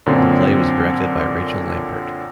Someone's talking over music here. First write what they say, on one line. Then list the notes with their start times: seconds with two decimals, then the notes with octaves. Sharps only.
The play was directed by Rachel Lampert.
0.06 F#2 A#2 D3 C4